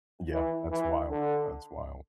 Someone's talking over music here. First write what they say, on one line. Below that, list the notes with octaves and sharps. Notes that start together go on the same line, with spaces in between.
Yeah, that's wild. That's wild.
E3
E3
D3